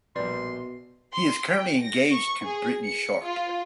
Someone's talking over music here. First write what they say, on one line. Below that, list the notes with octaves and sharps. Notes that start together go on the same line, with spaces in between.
He is currently engaged to Brittany Sharp.
A#1 B2 G3 B4 D5 C6
C6
G5
A#6
C#6
G#4
C#7
F4